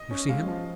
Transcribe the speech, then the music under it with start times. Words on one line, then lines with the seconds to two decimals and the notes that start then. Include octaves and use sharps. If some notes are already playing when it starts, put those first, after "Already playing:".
"You see him?"
Already playing: D#5
0.11 C#4
0.29 G#3 F5
0.47 F3